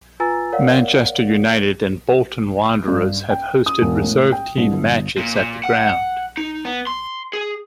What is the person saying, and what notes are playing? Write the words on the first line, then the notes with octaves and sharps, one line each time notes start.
Manchester United and Bolton Wanderers have hosted reserve-team matches at the ground.
F4 B4 G#5 A#5 E6 A6
A#4 C#5 D5 F5 F#5
G2
G5
D#6
E1
A2
G5
C2
G1
A#2
A#2
F#5
D#4
B3
C6
G#4